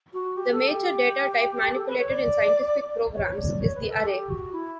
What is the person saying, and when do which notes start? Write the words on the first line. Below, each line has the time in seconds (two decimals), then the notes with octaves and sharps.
The major data type manipulated in scientific programs is the array.
0.14 F#4
0.37 G4
0.52 A4
0.68 G4
1.76 A4
1.87 B4
1.98 C#5
2.09 D5
3.14 C#5
3.37 D5
3.60 C#5
3.75 B4
3.91 A4
4.07 G4
4.29 F#4
4.53 E4